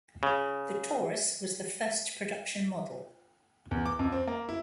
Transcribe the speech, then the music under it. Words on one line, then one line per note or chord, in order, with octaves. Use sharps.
The "Taurus" was the first production model.
C#3
E2
D6
F2
C4
A#3
E4